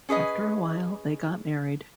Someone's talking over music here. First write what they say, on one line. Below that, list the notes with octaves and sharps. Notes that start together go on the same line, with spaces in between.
After a while, they got married.
C#4 G#4 B4 D#5